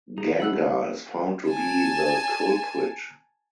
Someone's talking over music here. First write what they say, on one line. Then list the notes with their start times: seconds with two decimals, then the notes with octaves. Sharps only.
Ganga is found to be the culprit.
0.18 D#4 G#4
0.40 A3 F#5 B5 E6 F#6
1.48 G#5 A5